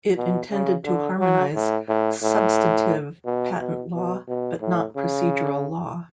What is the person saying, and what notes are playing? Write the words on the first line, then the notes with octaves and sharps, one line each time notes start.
It intended to harmonize substantive patent law but not procedural law.
B2
C#3
D3
F#3
A2
A2
A2
B2
B2
B2
B2
A2
C#3